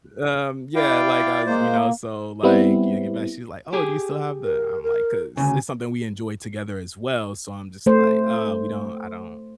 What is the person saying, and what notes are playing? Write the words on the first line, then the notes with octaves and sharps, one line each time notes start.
Um, yeah, like, I was you know, so, like, yeah get back, she's like, "Oh, do you still have the" I'm like 'cause it's something we enjoy together as well. So, I'm just like, "Uh, we don't I don't
E4 D5 F5 G5
G#3 A#3 C5
G3 B3 C4 E4
G4 G#4
A#4
A#4
D2 A#2 C#3 G#5
A3 C5